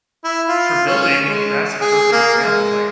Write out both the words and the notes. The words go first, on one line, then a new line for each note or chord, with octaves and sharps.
For building, that's a perfect example, like
E4
F4
C#4
G#3
G#4
A#3
G#3